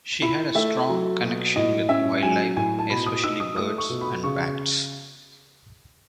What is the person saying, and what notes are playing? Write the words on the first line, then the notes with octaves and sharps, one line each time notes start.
She had a strong connection with wildlife, especially birds and bats.
E4 B5
A3 E5
F#3
B2
A2 D#5
C#4 E5
F#3 G#5
A2 G#5
A5
B2 B5
D#6
D#4 E6
D#6
A3 D#6
C#6
B2
B5
C#3 C#6